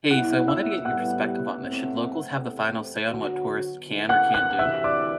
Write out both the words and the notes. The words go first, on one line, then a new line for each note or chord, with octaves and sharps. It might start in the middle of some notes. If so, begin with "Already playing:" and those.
Hey, so I wanted to get your perspective on this. Should locals have the final say on what tourists can or can't do?
C2 B2 F#3 B3 E4 F#5 F#6
E5 E6
A2 G3 B3 F#5 F#6
A2 F#3 A3 C4
E2 C3 E3 A3 C4
D3 F#3 B3 F#4
D3 A3 E4 B4
F#5 F#6
F#5 F#6
D2 C3 E3 E5 E6
D5 D6